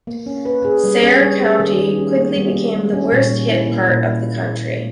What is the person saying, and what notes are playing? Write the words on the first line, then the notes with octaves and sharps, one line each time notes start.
Saare County quickly became the worst hit part of the country.
A#3
C#4
B4
G#4
G3
C#4
G3
G#4
D#3
G3
C#4
A#3
G3
A#3
G3
C#4
A#2
G3
E4
A#3
A#2